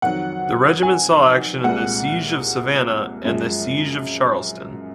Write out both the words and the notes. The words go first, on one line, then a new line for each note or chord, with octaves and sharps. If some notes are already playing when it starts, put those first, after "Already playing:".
The regiment saw action at the Siege of Savannah and the Siege of Charleston.
F2 D#3 F#3 F#5
G#5
C2 A#2 G#3 F#5
F#2 F3 G#3